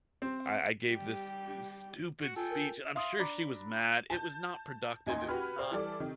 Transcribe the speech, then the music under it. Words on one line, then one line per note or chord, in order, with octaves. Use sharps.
I I gave this, uh, stupid speech, and I'm sure she was mad, it was not productive; it was not
C4
G3 G4
F#4
F4 A4 G5 G#5
A#4
E5 F5 C6 D#6
D4 A#5 B5 D6
A5 G6
A1 D#2 D#4 G#5 C6 G#6
F#4 G4 B4 B5 F6
C5 D5 G5
E3 G3 A4 D5 D6
C3 D#3